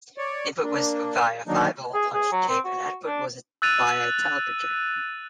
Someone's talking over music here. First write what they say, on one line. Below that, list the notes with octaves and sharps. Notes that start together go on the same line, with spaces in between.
Input was via five-hole punched tape and output was via a teleprinter.
C#5 D5
A#3 D4
D3 D#3 F#3 A#3 D4 D#4
G#4
G#4
F#3
C4
F#4
D4
E6 F#6 A6 D#7 F7